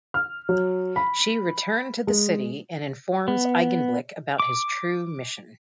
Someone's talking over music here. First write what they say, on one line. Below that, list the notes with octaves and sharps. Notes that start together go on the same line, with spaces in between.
She return to the City and informs Eigenblick about his true mission.
F6
F#3
B5
G#3
B3
D6